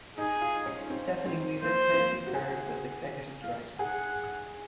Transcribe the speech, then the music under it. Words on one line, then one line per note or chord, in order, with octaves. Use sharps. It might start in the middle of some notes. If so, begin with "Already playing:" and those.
Stefanie Weaver currently serves as executive director.
D#4 G#4
F4
C#4
C4
C4
A#3 C5
C4
A#3
F#4
G#4
F5
G#4 F#5